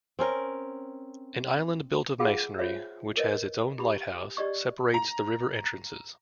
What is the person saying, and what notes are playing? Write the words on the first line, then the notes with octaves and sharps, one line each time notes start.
An island built of masonry, which has its own lighthouse, separates the river entrances.
C4 C#4 A#4
F4 G#4 F5 F#5 B5 E6
F4 C5 C#5 E5
A#4 B4 C#5 D#5
E4 G4 B5
G4 D5 D#5 C#6
A#5